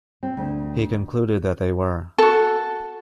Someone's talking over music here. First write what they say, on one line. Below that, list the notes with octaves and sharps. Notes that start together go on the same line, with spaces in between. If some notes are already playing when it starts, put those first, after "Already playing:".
He concluded that they were.
C4
D2
F#4 A4